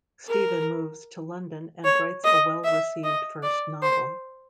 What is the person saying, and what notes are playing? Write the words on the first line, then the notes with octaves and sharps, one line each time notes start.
Stephen moves to London and writes a well-received first novel.
A#4
C#5
D#5
E5
D#5
D5
C5